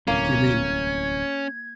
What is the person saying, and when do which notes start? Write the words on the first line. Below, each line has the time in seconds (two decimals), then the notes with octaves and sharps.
You mean
0.07 D1 C2 A2 A#3 C#4 G#6